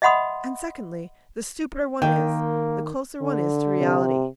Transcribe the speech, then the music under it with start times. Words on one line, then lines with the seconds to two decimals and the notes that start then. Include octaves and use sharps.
And secondly, the stupider one is, the closer one is to reality.
0.02 D#5 E5 F#5 B5 C6 D#6
2.02 D#3 A#3 G5
3.22 D3
3.79 C3